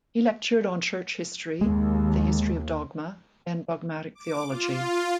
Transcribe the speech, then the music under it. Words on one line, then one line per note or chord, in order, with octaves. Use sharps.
He lectured on church history, the history of dogma, and dogmatic theology.
D#2 G#3
D6
F4